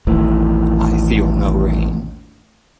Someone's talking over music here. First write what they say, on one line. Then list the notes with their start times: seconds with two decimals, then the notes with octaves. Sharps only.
I feel no rain.
0.07 A1 D#2 A2